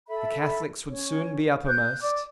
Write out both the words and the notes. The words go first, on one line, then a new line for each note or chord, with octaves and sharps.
The Catholics would soon be uppermost.
A4 E5 B5
C#4 C#5
F#6 G6
D5 D6